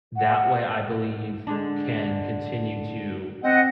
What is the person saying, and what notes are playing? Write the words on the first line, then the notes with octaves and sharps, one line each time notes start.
That way, I believe, can continue to
F#5
D3 G#3 D4
C4 D#5 F#5